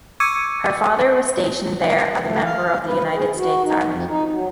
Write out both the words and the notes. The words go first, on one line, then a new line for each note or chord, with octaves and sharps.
Her father was stationed there as a member of the United States Army.
C#6 D6 E6 G#6 C#7 D#7
A3
F5
B4
G#4
F#4
D#4
F2
D#4
F#3